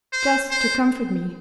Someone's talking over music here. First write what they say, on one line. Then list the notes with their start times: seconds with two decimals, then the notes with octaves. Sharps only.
Just to comfort me.
0.13 C5
0.51 C5